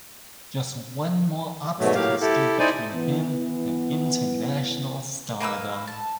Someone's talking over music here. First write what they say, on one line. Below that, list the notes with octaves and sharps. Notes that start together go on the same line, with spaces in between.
Just one more obstacle stood between him and international stardom.
G#2 B2 F#3 A3
A2 F#3 A#3 G4 F5
E4 G4 A4
D#4 E4 C5 D5 G#5
E3 B3
A#3 B4 G5 E6
A5